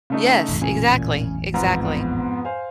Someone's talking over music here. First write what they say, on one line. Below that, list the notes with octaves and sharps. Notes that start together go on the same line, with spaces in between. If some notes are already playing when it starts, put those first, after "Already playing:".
Yes, exactly, exactly.
C#3 A3 D#4
E1 A1 F#2
A#2 C#3 G#5
F2 G#2 B3 A#5
C5 F5 G#5